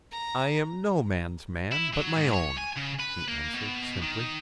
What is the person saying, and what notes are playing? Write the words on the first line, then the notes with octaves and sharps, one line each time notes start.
"I am no man's man but my own," he answered, simply.
A#5
E4
F#3
G#2
C#5
G#5
C#3
B4
A#3
B2
D#3